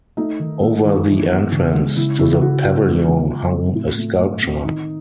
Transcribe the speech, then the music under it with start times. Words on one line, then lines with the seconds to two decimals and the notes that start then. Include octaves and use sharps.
Over the entrance to the pavilion hung a sculpture.
0.17 A3 D#4
0.39 D#3
0.62 A3
0.85 D#3
1.07 E3
1.29 B3
1.52 C#3
1.74 G#3
1.96 C#3 E4
2.19 C#3 E4
2.41 C#3 F#4
2.64 F#3 F#4
2.86 G#3 F4
3.08 C#3
3.30 C#3
3.53 C4
3.75 A2
3.98 A3
4.20 A3
4.42 C4
4.64 D#3 D#4